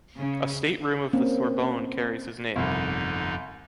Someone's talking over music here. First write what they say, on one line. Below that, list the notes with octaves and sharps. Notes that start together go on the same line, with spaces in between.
A state room of the Sorbonne carries his name.
C#3
A#3 C4 C#4
G1 C2 F2 D3 D#4